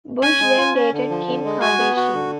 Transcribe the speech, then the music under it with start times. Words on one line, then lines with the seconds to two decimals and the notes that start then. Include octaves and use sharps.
Bush then dated Kim Kardashian.
0.22 C#4 G#5
0.40 G#3
0.57 F4
0.75 C#4
0.92 D3
1.10 F3
1.27 D3
1.44 G#3
1.62 F#4 G#5
1.79 B3
1.97 F#4
2.13 D3